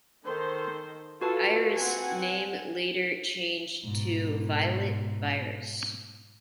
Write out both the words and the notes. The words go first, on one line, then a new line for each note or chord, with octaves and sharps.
Iris' name later changed to Violet Virus.
D#3 A4 C5
F4 F#4 A4 B4 A5
C4 F#5 G#5
G#2 B2